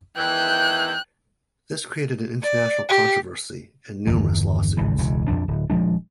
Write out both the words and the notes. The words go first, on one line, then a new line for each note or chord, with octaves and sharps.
This created an international controversy and numerous lawsuits.
E2 D#3 E3 G5 F#6 G6
D5
G4
G1 E2 G2 D#3
G#1 C#2 A2 E3
E1 C#2 C#3
A#1 F2 D4
D1
D#1 F3 G#3 D4